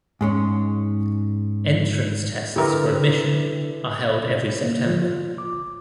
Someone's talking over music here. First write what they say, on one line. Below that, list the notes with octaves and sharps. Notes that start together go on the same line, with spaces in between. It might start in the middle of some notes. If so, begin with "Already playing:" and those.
Entrance tests for admission are held every September.
G#2 G#3 C#4
D3 E4 G4 A#4 B4 E5
B2
A#3
D3 F3 F4
F4
D6